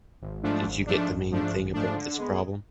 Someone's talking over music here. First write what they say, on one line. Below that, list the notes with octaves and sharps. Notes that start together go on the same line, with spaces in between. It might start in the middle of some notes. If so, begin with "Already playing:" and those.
Did you get the main thing about this problem?
G#1
G#2 F3 A3 D4
G#1
G#2 F3 A3 D4
G#1
G#2 F3 A3 D4
G#1
G#2 F3 A3 D4
D3
G#3 B3